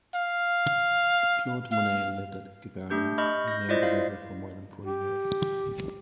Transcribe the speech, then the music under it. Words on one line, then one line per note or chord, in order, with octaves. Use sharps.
Claude Monet lived at Giverny near the river for more than forty years.
F5
F5
A3 D4 G4 G6
D#5 B5 C#6 F6 G6
G6 A#6
E4 F4 C5 D5 D#5
F5
G4